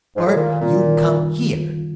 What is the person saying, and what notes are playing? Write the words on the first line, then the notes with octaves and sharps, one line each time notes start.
"Bart, you come here!"
G#2
A2
A#2 D#3
A#2 G3 C4 F4
D#3